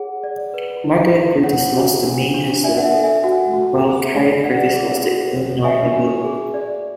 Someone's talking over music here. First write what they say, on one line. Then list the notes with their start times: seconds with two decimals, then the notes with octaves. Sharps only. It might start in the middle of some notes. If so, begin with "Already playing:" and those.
Margaret Curtis lost to May Hezlet while Harriot Curtis lost to Elinor Neville.
Already playing: G#4 C#5 F#5
0.24 D5
0.54 B4
0.84 E4
1.14 E4
1.44 C#5 F#5
1.74 F#4
2.04 D4
2.34 D4
2.64 D5 E5 G#5
2.77 F#5
2.83 E5
2.94 A4
3.04 E5 G#5
3.24 F#4 F#5
3.53 F#4
3.84 G#4
4.14 D5
4.44 D5 F#5
4.74 G#4
5.04 F#4
5.34 C#5
5.64 C#5 E5 G#5
5.93 F#4
6.24 G#4
6.54 D5